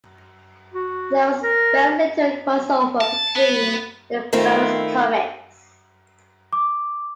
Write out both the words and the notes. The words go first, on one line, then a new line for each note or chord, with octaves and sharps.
There was very little crossover between the various comics.
F#4
A#4
A5
B3
D#3 A3 C4 E4 F4
D6